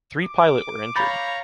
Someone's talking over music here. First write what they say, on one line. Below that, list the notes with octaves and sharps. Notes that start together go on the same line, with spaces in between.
Three pilot were injured.
D6
C#5 F5 A#5 B5 G6 A6